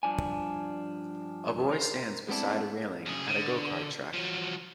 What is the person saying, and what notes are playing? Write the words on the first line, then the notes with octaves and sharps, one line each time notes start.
A boy stands beside a railing at a go kart track.
G2 F3 D4 G#5
A#4 C5
G#3 B3 C4 D4 E4
F#2 G#4
D3
F3 F#3